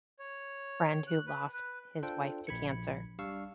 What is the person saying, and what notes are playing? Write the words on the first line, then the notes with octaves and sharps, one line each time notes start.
friend who lost his wife to cancer,
C#5
F#6
B4
B4
D4 F4 A4 C5 G5
A#1 B5 G#6 C#7
G3 D4 F5 C#6 E6